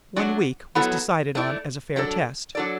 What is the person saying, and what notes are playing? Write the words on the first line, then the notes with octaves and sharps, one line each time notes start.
One week was decided on as a fair test.
F#3 D4 F#4 D5
F#3 B3 E4 A4
A3 E4 D5
F#3 D4 A4
F#3 D4 A4 D5